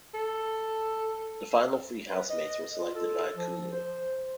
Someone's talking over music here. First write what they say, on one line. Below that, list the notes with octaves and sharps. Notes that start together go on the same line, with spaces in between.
The final three housemates were selected via Kumu.
A4
B4
D#5
F4
A4
F3
C5